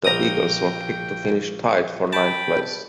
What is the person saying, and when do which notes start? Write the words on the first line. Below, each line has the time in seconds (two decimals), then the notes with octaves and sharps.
The Eagles were picked to finish tied for ninth place.
0.04 A#1 G5 A#5 D#6
2.13 G5 A5 B5